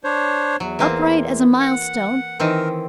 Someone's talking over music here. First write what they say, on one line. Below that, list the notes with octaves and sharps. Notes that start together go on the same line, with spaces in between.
Upright as a milestone.
D4 C5 C#5
E2 F#3
E3 A#3 C4
F#5
D#3 E3 C4 A#4